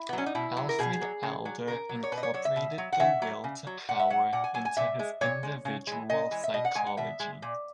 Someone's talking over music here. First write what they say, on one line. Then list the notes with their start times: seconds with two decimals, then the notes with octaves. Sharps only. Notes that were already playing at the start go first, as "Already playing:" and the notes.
Alfred Adler incorporated the will to power into his individual psychology.
Already playing: E4
0.09 B3
0.13 F#3 C#4
0.26 D#4
0.35 B2 E4
0.57 F#3
0.69 A#4
0.79 B2 G#4
1.01 F#3
1.23 C#3
1.45 F#3
1.68 C#3 A#4
1.89 F#3
2.03 C#5
2.12 B2 B4
2.17 D#5
2.23 C#5
2.34 F#3 C#5
2.45 E5
2.56 B2
2.78 F#3
2.92 F#5
3.00 C#3 E5
3.22 F#3
3.44 C#3
3.67 F#3
3.89 A#2 F#5
4.00 E5
4.10 F#3 F#5
4.33 A#2 F#5
4.44 G#5
4.54 F#3 G#5
4.65 G#5
4.77 A#2 E5
4.99 G#3
5.21 A#2 C#5
5.43 G#3
5.65 C#3
5.87 E3 G#3
6.10 C#3 D#5
6.31 E3 G#3
6.44 E5
6.54 B2 D#5
6.65 F#5
6.75 G#3 G#5
6.86 F#5
6.97 B2 E5
7.20 G#3
7.42 A#2